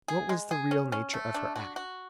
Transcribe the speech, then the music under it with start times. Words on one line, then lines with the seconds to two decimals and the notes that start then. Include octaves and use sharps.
What was the real nature of her act?
0.08 G#4
0.29 G#3
0.51 G#4
0.71 C#4
0.92 C#4
1.14 A3
1.34 D4
1.56 F#4
1.76 F#4